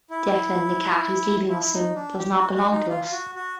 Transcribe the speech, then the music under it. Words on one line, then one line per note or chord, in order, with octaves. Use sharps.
Declan, the cat who's leaving us soon, does not belong to us.
E4
E4
E4
D#4
D4
G4
F#4
F#4
D#4
F4
F4
F#4
F#4